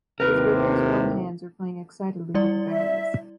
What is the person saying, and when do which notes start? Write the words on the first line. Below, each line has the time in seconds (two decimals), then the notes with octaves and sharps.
His vigorous warm hands were playing excitedly with the berries.
0.20 D#2 A2 C3 A#4 B4
2.34 G3 E4 D5
2.69 E5